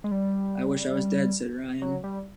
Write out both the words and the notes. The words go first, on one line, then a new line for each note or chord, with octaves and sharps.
"I wish I was dead," said Ryan.
G#3
G3
F#3
G3